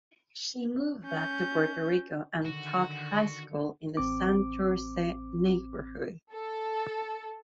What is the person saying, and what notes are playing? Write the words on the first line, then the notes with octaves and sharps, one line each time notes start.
She moved back to Puerto Rico and taught high school in the Santurce neighborhood.
C#4 G6
D3 D#3 F#4
A1 C4 D6
A4